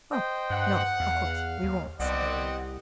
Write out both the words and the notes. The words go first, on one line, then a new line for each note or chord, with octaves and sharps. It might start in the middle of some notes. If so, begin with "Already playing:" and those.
'Oh, no, of course we won't!' said everyone.
C5 D#5 G5
G2 F#5
E2 F5
D#2
C2 B3 C4 D5 D#5 F#5